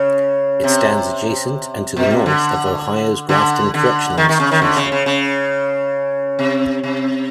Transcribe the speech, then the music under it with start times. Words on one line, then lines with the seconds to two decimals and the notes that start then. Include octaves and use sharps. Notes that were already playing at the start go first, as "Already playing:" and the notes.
It stands adjacent and to the north of Ohio's Grafton Correctional Institution.
Already playing: C#3
0.64 C3
1.96 B2
2.11 C3
2.26 D3
3.29 D3
3.74 D3
4.18 D#3
4.29 D#3
4.40 C#3
4.51 D#3
4.62 D3
4.76 C#3
4.92 C#3
5.06 C#3
6.39 C3
6.83 C3